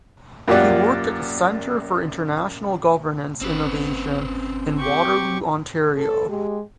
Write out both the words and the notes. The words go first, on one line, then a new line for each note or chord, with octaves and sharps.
He worked at the Centre for International Governance Innovation in Waterloo, Ontario.
F#2 A#3 F4 G4 D5 F#5
G1 C4 C#4 B4
G4 C#6
A4
G#3 G4